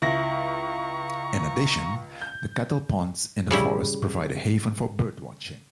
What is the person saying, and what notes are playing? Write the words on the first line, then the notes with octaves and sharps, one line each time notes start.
In addition, the kettle ponds in the forest provide a haven for bird watching.
C#2 E4 A#5 C#6 A#6
G6
C#3 G3 E4